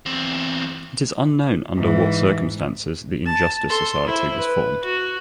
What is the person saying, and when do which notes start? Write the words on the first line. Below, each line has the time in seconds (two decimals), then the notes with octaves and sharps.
It is unknown under what circumstances the Injustice Society was formed.
0.06 E2 C4
1.76 G#2 E3
3.25 A5
3.69 A4 C6
4.05 E4 C5
4.38 B4
4.84 F#4